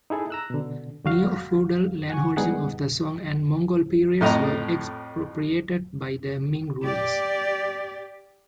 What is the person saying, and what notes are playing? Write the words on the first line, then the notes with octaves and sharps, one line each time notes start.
Neo-feudal landholdings of the Song and Mongol periods were expropriated by the Ming rulers.
D#4 E4 G#4 A4
A#5 E6 F#6
B2 D3
D3 F#4 F5
F#5 G#5 C#6
G3 G#3 B3 D#4 G#4 F#5
F2 A2 D#5 A#5
G4 D5